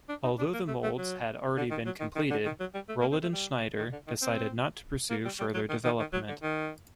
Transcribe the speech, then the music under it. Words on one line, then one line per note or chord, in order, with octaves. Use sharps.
Although the moulds had already been completed, Rolladen-Schneider decided not to pursue further development.
D4
D#4
D4
A#3
A3
A3
F#3
D3
D#3
F#3
D#3
D#3
D3
D#3
F#3
G3
A3
A#3
C4
A3
G3
D#3
D3
D#3
C4
A#3
G3
G3
F#3
D#3
D#3
D#3
F#3
D3
D#3